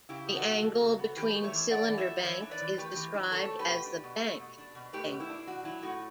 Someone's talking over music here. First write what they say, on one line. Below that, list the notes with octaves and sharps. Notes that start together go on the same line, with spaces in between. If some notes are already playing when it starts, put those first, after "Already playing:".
The angle between cylinder banks is described as the "bank angle".
C#3 E4 G4
B3
F#4 A4
C#3
F#3
C#3
B3
E3 G4 B4
A3
C#5 E5
E3
D4 D5 F#5
E3
C#5 E5
A3
E3 C#5 E5
D4
B4 D5
E3
A3 G4 B4
E3
D4
B2 A4 C#5
A3
G4 B4
B2
D4
B2
A3
B2
D4
B2
A3 G4 B4
B2
E4
D4
A2 F#4
F#3 E4
A2 F#4